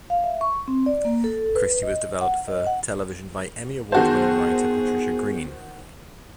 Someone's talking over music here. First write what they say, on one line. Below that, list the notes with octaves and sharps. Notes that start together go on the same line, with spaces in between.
Christy was developed for television by Emmy Award winning writer Patricia Green.
F5
E5
C#6
C4
D5
A#3
A4
B4
D#5
F#5
D#5
F#5
D#3 B3 F#4 G#4 C5 A5